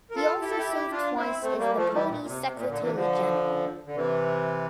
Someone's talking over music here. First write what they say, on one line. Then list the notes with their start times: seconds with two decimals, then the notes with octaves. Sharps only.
He also served twice as the party's secretary-general.
0.11 A#4
0.15 F4 A4
0.41 E4 G4
0.51 A4
0.58 E4 G4
0.74 E4 G4
0.91 D4 F4
1.17 C4 E4
1.42 A3 C4
1.59 G3 A#3
1.76 F3 A3
1.93 E3 G3
2.09 A#2
2.22 A#2
2.26 C3
2.44 C3
2.56 A#2
2.69 A#2 D3
2.81 C3 E3
2.94 D3 F3
3.86 D3
3.95 C3 E3